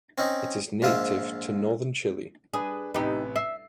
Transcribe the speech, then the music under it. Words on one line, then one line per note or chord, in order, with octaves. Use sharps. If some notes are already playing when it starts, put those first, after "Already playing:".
It is native to northern Chile.
C4 C#4 D#4
A#1 G#2 F4 E5
D4 G#4 B4
A1 C3 D#4 G4 B4
E5 C7